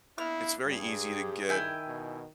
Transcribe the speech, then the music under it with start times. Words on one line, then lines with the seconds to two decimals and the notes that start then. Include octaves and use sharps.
it's very easy to get
0.18 A#3 B3 D4 E4 F6
0.65 G2 G3 G#4
0.99 G4
1.49 D#3 E4 G5 G#5
1.87 B2